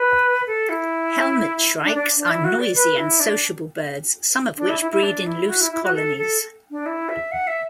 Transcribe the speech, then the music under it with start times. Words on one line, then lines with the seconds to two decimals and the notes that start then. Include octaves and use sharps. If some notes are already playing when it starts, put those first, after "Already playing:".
Helmetshrikes are noisy and sociable birds, some of which breed in loose colonies.
Already playing: B4
0.46 A4
0.69 E4
1.84 D4
1.95 D4
2.17 D4
2.30 E4
2.44 F#4
2.60 D5
2.75 B4
2.97 E4
3.20 D4
4.57 D4
4.69 E4
4.81 E4
4.92 E4
5.03 D4
5.26 E4
5.49 F#4
5.61 E4
5.72 E4
5.84 F#4
5.94 A4
6.17 A4
6.71 D4
6.86 E4
7.09 E5
7.32 F#5
7.47 E5